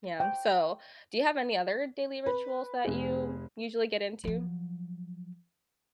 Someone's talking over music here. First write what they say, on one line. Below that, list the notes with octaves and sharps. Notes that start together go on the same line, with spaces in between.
Yeah, so, do you have any other daily rituals that you usually get into
G5
B4
F1 G#4
F3 F#3